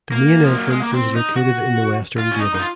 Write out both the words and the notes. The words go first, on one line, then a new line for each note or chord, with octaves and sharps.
The main entrance is located in the western gable.
A#3
F3
F#3
G#3
A#3
C4
D#4
F#4
F4
C#4
D#4
D#4
F4